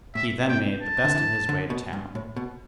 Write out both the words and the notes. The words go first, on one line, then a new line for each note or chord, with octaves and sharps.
He then made the best of his way to town.
A2 E5
A2 G5
A5
D3
E3
D3
B2
G2
A2
B2